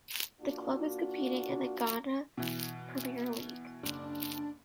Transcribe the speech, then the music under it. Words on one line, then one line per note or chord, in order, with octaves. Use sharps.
The club is competing in the Ghana Premier League.
A#3 D4 F4 F#4
B2 E3
F#1 D4